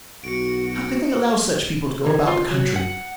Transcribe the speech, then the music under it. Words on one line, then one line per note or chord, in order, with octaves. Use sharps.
How can they allow such people to go about the country!
B1 F#4 C#7 D7
D3
F4
F#3
F#5